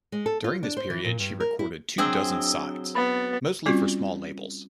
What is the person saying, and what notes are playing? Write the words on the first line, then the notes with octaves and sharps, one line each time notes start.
During this period she recorded two dozen sides, mostly for small labels.
G#3
A4
F4
D4
C5
E3
A#2
G2
A#4
E4
F#3 C4 D4 G#4 E6 G7
B3 B5 A6
G3 C4 C#4 F4 F#4